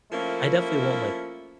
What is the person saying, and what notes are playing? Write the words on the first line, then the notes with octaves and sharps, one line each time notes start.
I definitely won't, like,
F3 A3 A#3 C#4 E4